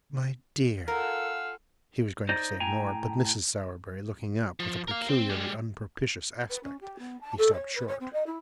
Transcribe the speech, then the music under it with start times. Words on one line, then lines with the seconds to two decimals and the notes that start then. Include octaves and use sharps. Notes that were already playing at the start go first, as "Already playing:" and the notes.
'My dear--' He was going to say more; but, Mrs. Sowerberry looking up, with a peculiarly unpropitious aspect, he stopped short.
0.88 F4 A4 A#4 F5 F#5 G#5 E6
2.29 D#4 C5 D5 D#5
2.60 A2 G5 G#5 A#5
4.60 F3
4.88 A#4 F5
5.09 C4
5.30 G3 G#3
6.50 B4
6.63 C#4
6.81 G4
6.99 B3
7.21 A5
7.38 A4
7.53 C#5
7.75 B4
7.88 C#5
8.00 C4
8.13 D#5
8.26 E4